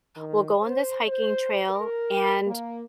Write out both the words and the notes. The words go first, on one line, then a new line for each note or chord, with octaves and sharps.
we'll go on this hiking trail, and
D#3
C5
C5
A#4
A#3